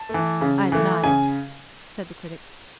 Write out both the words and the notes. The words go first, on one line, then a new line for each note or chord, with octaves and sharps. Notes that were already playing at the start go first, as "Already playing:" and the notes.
"I deny it," said the Critic.
Already playing: A5
E3 A3
C#3
E3 A3
C#3 G#5